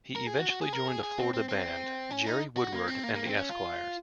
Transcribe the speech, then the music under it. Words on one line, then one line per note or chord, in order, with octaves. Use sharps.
He eventually joined a Florida band, "Jerry Woodward and the Esquires".
A#4
G#4
F#4
F#4
G#4
A#4
G#4
G#4
C4
C4
C4
C#4
D#4
F#4
A#3
C4
A#3
A#3
C4
C#4
F4